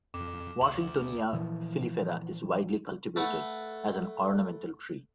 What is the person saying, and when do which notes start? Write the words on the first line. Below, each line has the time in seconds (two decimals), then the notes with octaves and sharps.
"Washingtonia filifera" is widely cultivated as an ornamental tree.
0.14 F2 D6
0.61 D2 F#7
1.33 A#2 E3 F3
3.16 A3 B4 F#5